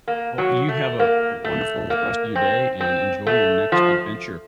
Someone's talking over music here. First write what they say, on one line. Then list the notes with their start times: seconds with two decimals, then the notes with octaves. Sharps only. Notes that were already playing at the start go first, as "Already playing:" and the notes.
Well, you have a wonderful rest of your day, and enjoy your next adventure.
0.08 A#3
0.38 F#3
0.68 A3
0.99 A#3
1.44 A3
1.90 A#3
2.35 C4
2.80 C4
3.27 A3
3.72 F3